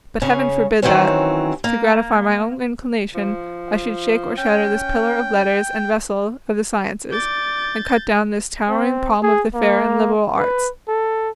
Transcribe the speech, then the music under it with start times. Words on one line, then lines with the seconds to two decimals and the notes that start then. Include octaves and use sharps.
But heaven forbid that, to gratify my own inclination, I should shake or shatter this pillar of letters and vessel of the sciences, and cut down this towering palm of the fair and liberal arts.
0.22 C#3 C#4
0.82 D#3 E3 F#3 C4 C#4
1.64 A#3
3.15 F3
4.37 C#4 G5
7.12 D5 G6 A6
8.69 C4
9.23 G#4
9.54 A#3
10.38 B4
10.88 A4